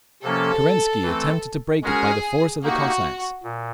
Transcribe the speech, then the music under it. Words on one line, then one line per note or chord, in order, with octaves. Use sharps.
Kerensky attempted to break it by the force of the Cossacks.
C3 F3 A#3 C#4 A4
E3 A3 C4
G#3 C#4 F#4 G#4 A#4 C#5
A#3 D#4 F#4 G4
A#2